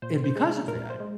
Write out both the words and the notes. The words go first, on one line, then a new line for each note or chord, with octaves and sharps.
and, because of that,
A#2 C5
C5
G#3
A#2 A#4
C5
G#3